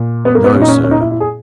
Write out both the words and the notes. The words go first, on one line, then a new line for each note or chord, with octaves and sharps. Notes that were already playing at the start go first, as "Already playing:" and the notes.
No, sir!
Already playing: A#2
B3
A#3
B3
A#2 C#4
D#4
C#4
C#4
D#4
E4
E4
G#4